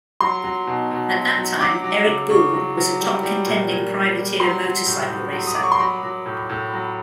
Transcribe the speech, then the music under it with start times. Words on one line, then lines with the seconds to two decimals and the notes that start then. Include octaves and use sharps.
At that time, Erik Buell was a top contending privateer motorcycle racer.
0.21 F#3 C6
0.44 F#3
0.67 B2
0.91 B2
1.14 F#3
1.37 F#3
1.61 F#3 D6
1.84 F#3
2.07 C#3
2.30 C#3 C#6
2.54 F#3
2.77 F#3
3.00 G3
3.23 G3
3.46 A#2
3.70 A#2
3.93 G3
4.17 G3
4.40 F#3 C6
4.63 F#3
4.86 A2
5.10 A2
5.32 F#3
5.47 D#6
5.55 F#3 D6
5.63 C#6
5.72 C6
5.79 F#3 B5
6.03 F#3
6.26 A2
6.50 A2
6.73 F#3